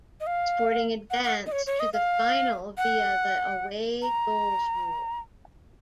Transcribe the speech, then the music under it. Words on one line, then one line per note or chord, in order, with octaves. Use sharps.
Sporting advanced to the final via the away goals rule.
D#5
F5
F#5
F#5
D#5
C#5
C#5
D#5
F5
F#5
A#5